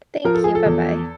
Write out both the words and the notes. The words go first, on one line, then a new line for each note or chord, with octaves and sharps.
thank you, bye-bye.
F3 A#4
A4
G#4
A4
E2